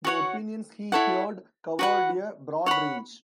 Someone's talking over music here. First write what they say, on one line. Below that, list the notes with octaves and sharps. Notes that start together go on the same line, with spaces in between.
The opinions he heard covered a broad range.
F#4 C#5 F#5
E4 A4 C#5 F#5
F#4 B4 F#5
C#5 F#5 B5